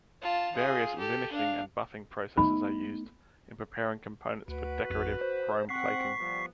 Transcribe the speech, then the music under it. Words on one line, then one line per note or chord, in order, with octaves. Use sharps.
Various linishing and buffing processes are used in preparing components for decorative chrome plating.
F4 A5
F4 G#4
G4 A4
D4 F5
A3 B3 D#4 B5
D2 F#4 B4
A1 F2
C5
C4 F#5 C#6 B6 C7
F3 G3 B3